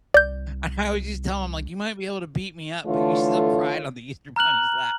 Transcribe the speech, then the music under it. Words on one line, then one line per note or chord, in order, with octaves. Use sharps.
And I would just tell him like, "You might be able to beat me up, but you still cried on the Easter Bunny's lap."
C2 D5 G6
D3 E3 A3 F4 A4 C#5
A#5 F6 F#6 F#7